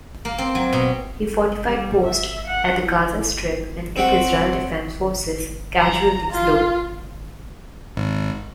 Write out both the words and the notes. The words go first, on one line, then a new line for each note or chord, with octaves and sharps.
He fortified posts at the Gaza Strip and kept Israel Defense Forces casualties low.
A#3
C4
F#3
B2
G3
E5
F#5
E4
C4 F#4
A#5
F4
G#1